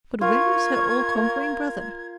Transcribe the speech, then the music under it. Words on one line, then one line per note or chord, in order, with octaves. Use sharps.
But where is her all-conquering brother?
F4 A#4 C#6 G#6